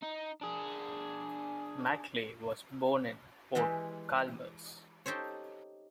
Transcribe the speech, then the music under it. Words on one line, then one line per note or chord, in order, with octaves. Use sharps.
Mackley was born in Port Chalmers.
D#4
D4 G#4
E3 G#3 E4 G4
D#4 G4 A4 C5 C#5